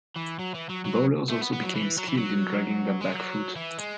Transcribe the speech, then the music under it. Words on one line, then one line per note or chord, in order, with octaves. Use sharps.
Bowlers also became skilled in dragging their back foot.
E3
F#3
E3
F#3
F#3
A3
B3
B3
F#3
E3
F#3
E3
F#3
G#3
F#3
E3
G#3